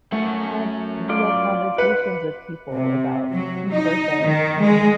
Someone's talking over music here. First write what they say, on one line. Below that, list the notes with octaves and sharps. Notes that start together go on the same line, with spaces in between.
have real conversations with people about deeper things?"
F#2 A3 C#4 F#5
F4 D5
B4 F#5
C3
F#3
D#4
D#3
G#3